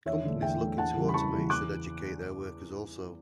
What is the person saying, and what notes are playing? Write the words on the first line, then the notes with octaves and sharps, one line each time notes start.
Companies looking to automate should educate their workers also.
E2 C#5 E5
D3 A3
E2 E5 G5
D3 A3
E2 F#5 A5
C#3 E3 G3
B5
E2 A5 C#6
C#3 E3 G3
E2 D6 F#6